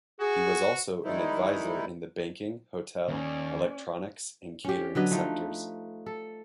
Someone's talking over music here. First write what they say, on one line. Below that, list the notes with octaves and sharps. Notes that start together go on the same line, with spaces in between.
He was also an adviser in the banking, hotel, electronics, and catering sectors.
F#4 G#4
D#3 G3 G#3 D#4 E4
D#2 C#4 D5
C#4 G4
D3 F#3 B4 D#5
F3 A3 D#4
A4